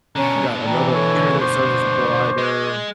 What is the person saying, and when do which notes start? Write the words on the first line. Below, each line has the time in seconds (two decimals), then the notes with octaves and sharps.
I got another internet service provider
0.16 B2 D3 C#4 A#5
0.65 E3 D5 G5 A#5
0.92 A4 C#5 C#6
1.41 C5 C#6 D6
2.38 G#3